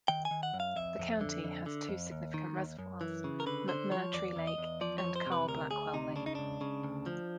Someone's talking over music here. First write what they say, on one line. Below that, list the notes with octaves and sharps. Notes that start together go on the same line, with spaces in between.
The county has two significant reservoirs: McMurtry Lake and Carl Blackwell Lake.
D#3 G5
G#5
D#3
F#5
F#2
F5
F2 E5
F2
D3
F2
D3
F2
D#2
D#3
D#2
F#2
E3
C#3
A#4
D3 B4
D3 C5
F3 C#5
E2 D5
E2
D#5
E2
F3 D5
C#5
F2
C5
C3
B4
D2 A#4
D2 G#4
C3 D#4
C#3 D4
D#4
C#2 D4
C#3
D2
F3